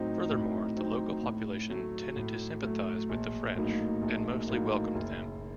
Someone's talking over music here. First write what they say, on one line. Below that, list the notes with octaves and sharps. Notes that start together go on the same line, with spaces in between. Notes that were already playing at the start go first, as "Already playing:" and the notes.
Furthermore, the local population tended to sympathise with the French, and mostly welcomed them.
Already playing: A2 F#3 C4 D#4
A2
F#3 C4 D#4
A2
F#3 A3
A2
F#3 A3
A#1
A2 F#3 A#3 D#4
A#1
A2 F#3 A#3 D#4
F#1